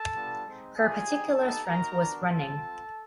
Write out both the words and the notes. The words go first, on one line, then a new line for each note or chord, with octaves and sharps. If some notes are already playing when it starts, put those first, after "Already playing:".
Her particular strength was running.
Already playing: A4 A5
G3 B3 D4 F4
G#3 C4 D#4
G3 A#3 D4 F4 G#4 G#5
C4 D#4 G4
B3 D#4 G4 A4 A5
A#3 D#4 F#4 A#4 A#5
B3 D4 F#4
G#3 C4 F4 A4 A5
C4 F4